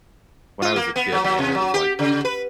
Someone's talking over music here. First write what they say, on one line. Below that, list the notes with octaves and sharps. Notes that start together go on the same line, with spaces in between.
when I was a kid, man, it was, like,
F4
A#3
B3
F#3
F#3
C3
F#3
G4
C#3
B4